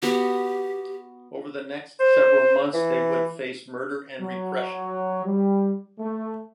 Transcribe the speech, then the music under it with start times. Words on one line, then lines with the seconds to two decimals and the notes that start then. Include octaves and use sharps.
Over the next several months they would face murder and repression.
0.02 B3 F#4 G4
2.00 C5
2.74 E3
4.22 F#3
5.26 G3
5.99 A3